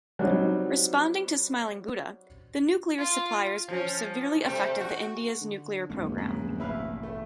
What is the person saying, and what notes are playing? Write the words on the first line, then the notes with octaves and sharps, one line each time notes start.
Responding to Smiling Buddha, the Nuclear Suppliers Group severely affected the India's nuclear program.
F#3 G3 C4 D#4
F4
F3 C#4
C3 G3 A3
F#4
D3
D1 F2 G#3 A#3 C#4
G#2 C#3
A1 G2 B2 E4 B4 F5
A3